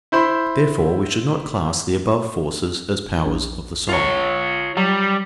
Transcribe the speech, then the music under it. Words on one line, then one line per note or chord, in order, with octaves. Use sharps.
Therefore we should not class the above forces as powers of the soul.
E4 C5 B5 C6
A#1
F4 C#5
F#3 G3